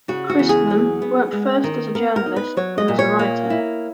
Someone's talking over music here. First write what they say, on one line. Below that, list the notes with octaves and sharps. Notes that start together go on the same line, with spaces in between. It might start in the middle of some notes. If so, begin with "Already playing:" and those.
Kristmann worked first as a journalist, then as a writer.
C#3 F#4
F#4
E2
G#4
F#3
B3
G#3
D#3
B3 A#4
A#4
D#4
B4
F#3 C#5
D#5
A#2
C#5
A#3
E4